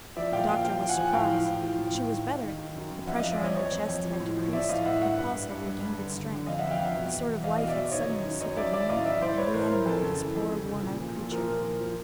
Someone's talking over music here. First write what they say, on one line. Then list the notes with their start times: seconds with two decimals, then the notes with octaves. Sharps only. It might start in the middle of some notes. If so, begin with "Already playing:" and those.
The doctor was surprised; she was better; the pressure on her chest had decreased; her pulse had regained its strength; a sort of life had suddenly supervened and reanimated this poor, worn-out creature.
0.17 F3 D5 E5
0.32 A#2 F5 G5
0.48 F3 F5 G5
0.64 F3 F5 G5
0.81 F3
0.89 F#5 G#5
0.97 F3
1.13 A2 F5 G5
1.29 F3
1.45 A2
1.62 F3
1.78 A2
1.95 A2
2.10 D#3
2.27 D#3
2.42 D#3
2.58 D#3
2.75 F#2
2.91 F#2
3.07 F2 E5 F#5
3.19 F3 D#5 F5
3.31 D5 E5
3.40 F2 C#5 D#5
3.55 F2 C#5 D#5
3.72 F2
3.88 F2
4.05 F3
4.20 A2
4.37 F3
4.53 F3 D5 E5
4.69 A2 D#5 F5
4.85 A2 E5 F#5
5.01 G2 E5 F#5
5.17 G2
5.33 G2
5.49 G2
5.67 G2
5.83 G2
5.99 D3
6.15 D3
6.31 D3
6.46 F2 D#5 F5
6.59 F2 E5 F#5
6.71 F5 G5
6.79 F2 E5 F#5
6.96 B2
7.11 E2
7.28 E2
7.44 E2 D#5 F5
7.56 B2 D#5 F5
7.68 D5 E5
7.76 B2
7.92 D#3 C#5 D#5
8.09 F#2
8.24 D#3
8.41 F#2 C#5 D#5
8.56 D#3 D5 E5
8.73 F#2 D5 E5
8.89 A2 D#5 F5
9.06 E3 D5 E5
9.21 A2 C5 D5
9.38 E3 B4 C#5
9.54 A2 A#4 C5
9.70 E3 A#4
9.86 F2 A4
10.02 C#3
10.19 E3
10.36 F2
10.51 C#3
10.68 C#3
10.83 A#2
11.00 F3
11.16 A#2
11.32 F3 A#4
11.47 A#2
11.64 F3
11.81 F3